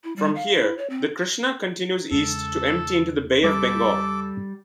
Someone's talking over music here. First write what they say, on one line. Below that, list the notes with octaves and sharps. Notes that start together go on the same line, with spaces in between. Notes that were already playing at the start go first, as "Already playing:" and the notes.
From here the Krishna continues east to empty into the Bay of Bengal.
E4
G3
F5
E4
C#5
C4
E2 C#3 G#3 A4
G3 A4 D6